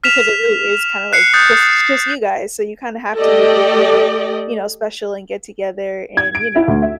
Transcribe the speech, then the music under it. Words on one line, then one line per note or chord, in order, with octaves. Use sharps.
because it really is, kind of, like, just just you guys, so you kind of have to make it feel, you know, special, and get together, and, you know,
F6 B6 E7 F7
F#6 C7 C#7
D#6 F#6 G6 A6
A3 G4 A4 D5 D#5 G5
G#6
D7
E4
D2
E5